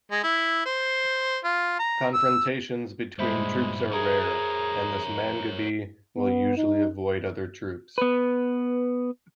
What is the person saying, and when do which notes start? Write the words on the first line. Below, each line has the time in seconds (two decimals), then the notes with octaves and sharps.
Confrontations between troops are rare, as this mangabey will usually avoid other troops.
0.11 G#3
0.24 E4
0.66 C5
1.44 F4
1.79 A#5
2.14 E6
3.19 G2 A#2 G#3 C5 E5 B5
3.92 G#4 A#4 C#5 A#5
6.16 B3
6.57 D#4
7.98 B3 B4